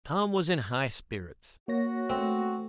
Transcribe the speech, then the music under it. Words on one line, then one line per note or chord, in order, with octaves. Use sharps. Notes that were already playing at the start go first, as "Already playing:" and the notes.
Tom was in high spirits.
A#3 F#4 C#5 A#6
A3 C4